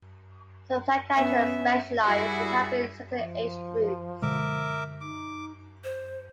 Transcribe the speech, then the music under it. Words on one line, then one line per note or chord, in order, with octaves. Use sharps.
Some psychiatrists specialize in helping certain age groups.
B3 C#4 E5
G3 E4 F#4 G#4
F3
B2 D3 G#3 A#4 E5 D6
D#4 D6
C5